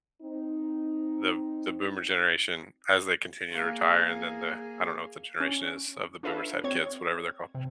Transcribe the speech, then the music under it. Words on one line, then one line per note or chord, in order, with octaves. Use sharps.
the the boomer generation, as they continue to retire and then the I don't know what the generation is of the boomers who have kids, whatever they're called,
C4 D#4
A#3 G#4
C#4
D4 F4 A4 B4 E5 F5
C4 C#5 G#6
C3